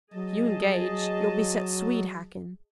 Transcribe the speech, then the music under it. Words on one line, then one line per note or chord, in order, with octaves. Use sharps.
If you engage, you'll be set swede-hacking.
F#3 G#4 D#5 A5